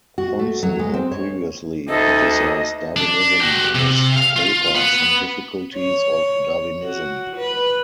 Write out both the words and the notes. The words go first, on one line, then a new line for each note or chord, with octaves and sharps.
Thompson had previously criticized Darwinism in his paper "Some Difficulties of Darwinism".
F#4
A3
F#3
G#3
C4
C#5
D2 D#4 A4 D#5
D4
F#4 G4
C3
F5
F4
B4 F#5
C#5
F#4
B4